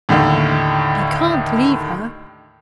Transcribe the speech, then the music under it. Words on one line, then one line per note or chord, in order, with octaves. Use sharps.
'I can't leave her.
D#2 A2 D3 D#3